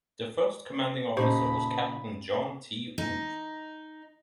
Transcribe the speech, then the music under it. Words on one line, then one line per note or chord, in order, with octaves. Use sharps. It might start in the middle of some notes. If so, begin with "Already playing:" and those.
The first commanding officer was Captain John T. Rouse.
A#2 C#3 D#4 G4 C5 A5 B5 C#6
D#4